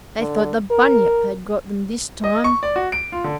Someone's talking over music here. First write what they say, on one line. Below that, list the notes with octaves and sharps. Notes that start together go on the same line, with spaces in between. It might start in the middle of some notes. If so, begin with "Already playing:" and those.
They thought the Bunyip had got them this time.
D3
A#4
D#5
C#6
D5
F#4
D7
F4
D3